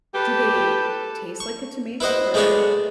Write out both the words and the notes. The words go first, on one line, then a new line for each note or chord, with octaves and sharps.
Do they taste like a tomato, or
G4 A4 B4
C#6
E4 B4 C5 D#5 F#5
G#3 A3 B3 D4 F#4 C#5